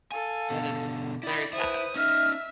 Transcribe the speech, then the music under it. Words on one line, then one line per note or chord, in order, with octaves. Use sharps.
That is very sad,
A4 F5 G#5
B2 D3
E4 D5 D#5 B5
E4 B4 C5 D#6
C#4 D#4 E5 F6